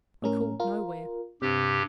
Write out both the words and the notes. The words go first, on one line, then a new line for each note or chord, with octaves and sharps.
'We called nowhere.
A2 C#4 A#4
F4 A#4
G2 C3 G4